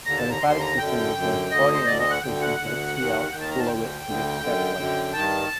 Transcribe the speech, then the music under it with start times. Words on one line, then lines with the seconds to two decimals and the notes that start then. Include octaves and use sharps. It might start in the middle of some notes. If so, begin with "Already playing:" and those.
The lymphatic system returns protein and excess interstitial fluid to the circulation.
0.05 D#2 D3 A#5
0.17 A5
0.30 A#5
0.42 D#2 D3 C6
0.60 A#5
0.78 F#2 D3 G5
1.15 F#2 D3
1.51 D2 D3 D#5
1.74 C5
1.86 D2 D3 D5
1.99 D#5
2.10 F#5
2.23 D2 D3 G5
2.41 F#5
2.59 D2 D3
2.96 D#2 D#3
3.32 D#2 D#3 G5
3.41 A5
3.50 A#5
3.59 A5
3.68 D2 D3 G5
4.04 D2 D3
4.41 F#2 D3
4.77 F#2 D3
5.13 G2 D#3 A5